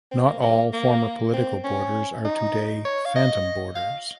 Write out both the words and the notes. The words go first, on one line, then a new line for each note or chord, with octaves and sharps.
Not all former political borders are today phantom borders.
C4
A#3
A#3
A#3
C4
C#4
D#4
C#5
F5
D#5
F5